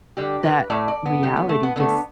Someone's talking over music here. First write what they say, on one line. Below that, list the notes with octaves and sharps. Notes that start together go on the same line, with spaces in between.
that reality just
D3 G3 G4
B4
A2 A3 D5
D5
B3
D3 G3 G4
B3
A3
B3
D3 A3 B3